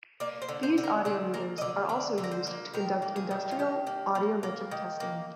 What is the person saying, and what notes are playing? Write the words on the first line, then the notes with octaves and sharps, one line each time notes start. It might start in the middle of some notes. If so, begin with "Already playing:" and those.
These audiometers are also used to conduct industrial audiometric testing.
A#3 D5
C5
D3
C5
D3
A#4
D3 G#4
A#3 A#4
D#5
D3 D5
D3 D5
D3
A#4
C5
A#3
D#3 A#4
A#3
G#4
D#3
F4
D#3 G4
A#3
A#3
A#3
D#3
A#3